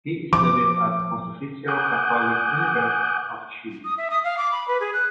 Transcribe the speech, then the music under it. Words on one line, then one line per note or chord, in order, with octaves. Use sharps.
He studied at Pontifical Catholic University of Chile.
F3 D6
F#5 G#5 D6 D#6 F#6 G6
D#6
E5
D#6
F5
D6
B5
B4
G#4
F#6